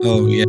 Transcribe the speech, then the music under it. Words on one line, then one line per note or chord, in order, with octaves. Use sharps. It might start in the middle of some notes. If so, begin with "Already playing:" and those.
Oh, ye
Already playing: F#4
A2